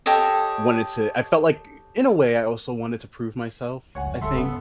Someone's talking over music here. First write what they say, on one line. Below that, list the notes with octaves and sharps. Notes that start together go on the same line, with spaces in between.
wanted to I felt like, i in a way, I also wanted to prove myself, I think.
G4 A4 C#5 D#5
C#2 C#5 F#5 G#5
F2 F#3
D1 C#3 G3 A4 E5 C6
G2 B3